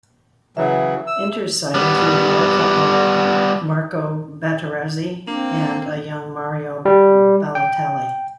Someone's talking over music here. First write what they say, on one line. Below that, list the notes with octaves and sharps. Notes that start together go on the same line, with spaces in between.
Inter's side included World Cup winner Marco Materazzi and a young Mario Balotelli.
C#3 E3 F#3 E5
E6
G3 B3
A#3 C4 D4
G3
G5